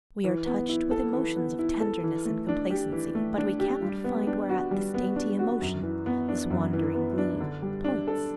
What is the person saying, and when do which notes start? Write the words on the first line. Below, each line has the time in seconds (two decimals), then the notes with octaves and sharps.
We are touched with emotions of tenderness and complacency, but we cannot find whereat this dainty emotion, this wandering gleam, points.
0.24 E3
0.46 B3
0.69 E4
0.91 A4
1.13 E3
1.36 B3
1.59 E4
1.80 A4
2.03 E3
2.25 A3
2.48 D4
2.70 G4
2.92 E3
3.15 A3
3.38 D4
3.60 G4
3.82 G3
4.04 B3
4.27 D4
4.49 F#4
4.71 G3
4.94 B3
5.16 D4
5.39 F#4
5.62 F#2
5.83 E3
6.06 B3
6.28 D4
6.50 F#2
6.73 E3
6.95 B3
7.18 D4
7.40 D3
7.62 G3
7.84 D4
8.08 A4